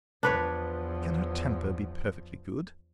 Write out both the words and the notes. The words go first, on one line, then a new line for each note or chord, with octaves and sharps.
Can her temper be perfectly good?
E2 F3 D4 B4 C#5